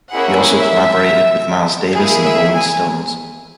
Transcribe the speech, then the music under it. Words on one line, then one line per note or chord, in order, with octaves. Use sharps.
He also collaborated with Miles Davis and the Rolling Stones.
A#3 C#4 E4 G#4 F#5
E5
A#3 E4 G#4
E5
G#5